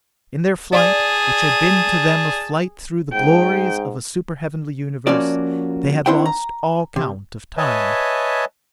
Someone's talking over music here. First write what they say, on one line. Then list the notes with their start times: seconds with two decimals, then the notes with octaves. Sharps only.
In their flight, which had been, to them a flight through the glories of a super-heavenly Universe, they had lost all count of time.
0.73 G#4 D5 A5
3.13 G#2 G5
5.07 F3 A#3 C#4 F#4 D5
6.06 C4 D4 E4 C5 F#5 G5
6.26 A#5
6.96 C3
7.57 B4 C#5 D#5 E5 G#5 A5